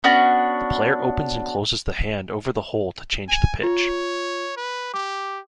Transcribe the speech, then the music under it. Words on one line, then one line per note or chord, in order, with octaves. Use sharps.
The player opens and closes the hand over the hole to change the pitch.
B3 C#4 D4 F#4
G#5
F4 C#5
B4
G4 D6